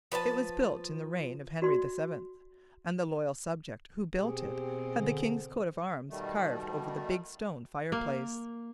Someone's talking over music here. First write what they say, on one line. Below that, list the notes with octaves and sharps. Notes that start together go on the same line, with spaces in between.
It was built in the reign of Henry VII, and the loyal subject who built it had the king's coat of arms carved over the big stone fireplace.
F3 B4 D#5 A5
F#4 D5 C6
B2 C4 G4 G#4
D3
B2 D#3 G3 A3
A#3